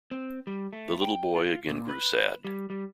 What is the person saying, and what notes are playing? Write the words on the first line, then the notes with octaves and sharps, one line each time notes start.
The little boy again grew sad.
C4
G3
A3
G5
F4
A#2
B4
G3
G3